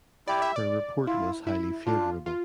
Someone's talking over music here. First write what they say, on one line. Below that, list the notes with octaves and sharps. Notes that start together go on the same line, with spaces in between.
Her report was highly favourable.
E4 G4 D5
E5
D5
E4 F4
E4
D4 F4
F4